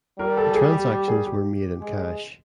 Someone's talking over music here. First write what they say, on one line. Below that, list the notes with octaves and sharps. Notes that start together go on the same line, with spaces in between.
The transactions were made in cash.
G3 A#4
A4
A4
G#4
G4
G4
G#4
G4
G#3